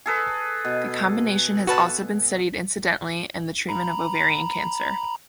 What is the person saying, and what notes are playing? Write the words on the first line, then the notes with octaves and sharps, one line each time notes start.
The combination has also been studied incidentally in the treatment of ovarian cancer.
G#4 A4 B4
B2
F#4 B4 A5
A#5 B5